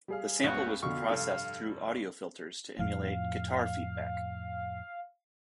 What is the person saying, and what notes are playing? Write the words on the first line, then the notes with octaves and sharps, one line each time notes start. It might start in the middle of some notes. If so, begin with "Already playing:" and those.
The sample was processed through audio filters to emulate guitar feedback.
G3 G#4 F5
C#2 G2 B3 F#4
F2 B2 D3 F5 C#6
F1 G2 A4
F2 A2 F3 F5